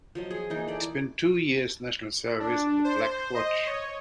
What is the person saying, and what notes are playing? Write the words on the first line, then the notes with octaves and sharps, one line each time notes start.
He spent two years national service in the Black Watch.
F3 F#3 D#5
G#4
E3 A#3 D#4
A4 D5
D4
C5
D#5
C#5